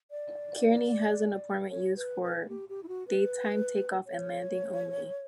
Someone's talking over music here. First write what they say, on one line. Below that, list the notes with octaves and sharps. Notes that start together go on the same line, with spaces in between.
Kearny has an airport used for daytime take off and landing only.
D5
C#5
B4
B4
G4
G4
E4
F#4
B4
C#5